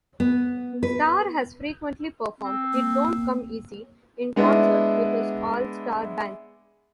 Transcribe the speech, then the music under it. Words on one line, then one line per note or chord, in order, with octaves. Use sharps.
Starr has frequently performed "It Don't Come Easy" in concert with his All-Starr Band.
B3
B4
C4
A#3
G#3 B3 D4 E4